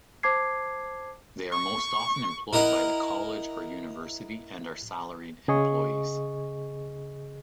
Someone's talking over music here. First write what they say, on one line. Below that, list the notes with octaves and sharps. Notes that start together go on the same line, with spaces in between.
They are most often employed by the college or university and are salaried employees.
C5 A5 D6 G#6 C7
C#6
E4 A#4 D#5 F#5
C#3 G#4 D#5 C#6